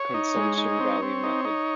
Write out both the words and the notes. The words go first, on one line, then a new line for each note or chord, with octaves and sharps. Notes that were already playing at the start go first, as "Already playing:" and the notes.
Consumption value method.
Already playing: C#5
D#4
G#3
D#4
C4
C4
D#4
D#4